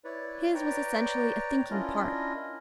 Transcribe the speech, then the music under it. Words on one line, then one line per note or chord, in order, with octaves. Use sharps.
His was essentially a thinking part.
E4 B4 C#5 D5
B4 C#5 D5 G5 A#5
C#4 D4 E4 F4 A#4 D#5